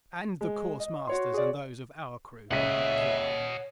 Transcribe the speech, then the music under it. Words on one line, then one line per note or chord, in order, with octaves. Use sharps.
And the course masters and those of our crew who had been killed.
G#3
D#5
F#4 C#5 C6
G#4 D5
C#2 C#5 D#5 E5 F#5 B6